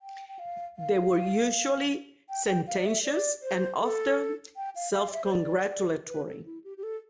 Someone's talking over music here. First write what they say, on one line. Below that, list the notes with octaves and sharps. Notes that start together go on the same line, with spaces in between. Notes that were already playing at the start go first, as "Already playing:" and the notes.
They were usually sententious and often self-congratulatory.
G5
G5
F5
F5
G5
G5
F5
D5
E5
D5
C5
A4
G5
F5
F5
D5
E5
C5
D5
B4
A4
E4
G4
G4
A4